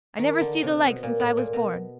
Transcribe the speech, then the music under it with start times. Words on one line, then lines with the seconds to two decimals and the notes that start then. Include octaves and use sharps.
I never see the like since I was born.
0.19 D#3
0.41 D3
0.63 C3
0.86 B2
1.03 A#2
1.20 A2
1.37 A#2
1.53 B2